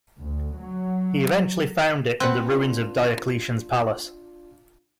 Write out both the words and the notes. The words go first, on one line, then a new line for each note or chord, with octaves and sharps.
He eventually found it in the ruins of Diocletian's Palace.
D2
F#3
C4 B4 F#5 F#6
D4 F4